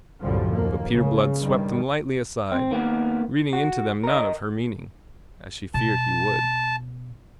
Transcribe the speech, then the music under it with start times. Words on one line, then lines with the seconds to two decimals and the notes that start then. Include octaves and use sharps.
But Peter Blood swept them lightly aside, reading into them none of her meaning, as she feared he would.
0.24 C2 F#2 A2 D3 F3 G3
0.55 D#2 A#3
0.93 C#2 C#3
1.40 G2 D#3 G3
2.52 C4
2.71 D#3 A#3 B3
3.53 F#4
4.04 A#4 D#5
5.74 B2 A5